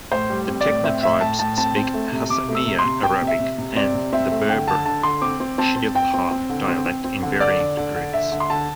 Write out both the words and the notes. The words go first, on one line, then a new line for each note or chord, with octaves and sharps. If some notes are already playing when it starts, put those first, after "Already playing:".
The Tekna tribes speak Hassaniya Arabic and the Berber Shilha dialect in varying degrees.
A2 C5
G3
C4
D5
A2
C4 E5
A2 E5
A2 A5
A2 A5
C4 A5
C4
A3
C3
C3 D6
A3
E6
C3
C6
C3
C4 G5
C3
E5
C3
C3
C4 D5
C3
C4 E5
A3
D3 G5
D3 A5
D3 A5
D3 C6
C4 D6
C4
C4 A5
C4
C4 G5
C4
C4
D3
C4
C4
C4
D3
D3 D5
D3
D3
D3
D3 E5
D3
C6
D3 A5